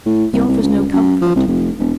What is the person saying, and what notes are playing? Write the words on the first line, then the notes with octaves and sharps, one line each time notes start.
He offers no comfort.
A2
C2
C2
C#2
F#2
F3
C2
F1
E1